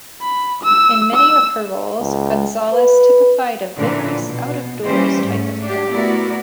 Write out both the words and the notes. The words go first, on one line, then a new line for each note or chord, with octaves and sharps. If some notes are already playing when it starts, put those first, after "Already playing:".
In many of her roles, Gonzalez typified a vigorous out-of-doors type of heroine.
B5
E6
E6
C#2
B4
A#2 D3 E3 F3
B2
E3 G3 A#3 C#4 G4 C5
G#2 A3 C#4
D4 G4
A3 B3 E4 F#4 A#4 D5